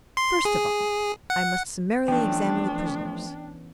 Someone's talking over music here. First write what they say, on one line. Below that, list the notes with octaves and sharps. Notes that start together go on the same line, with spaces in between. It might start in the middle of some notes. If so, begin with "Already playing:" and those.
First of all, I must summarily examine the prisoners.
C6
G#4
F#5
E3 F3 A3 B3 C#4 D4 G5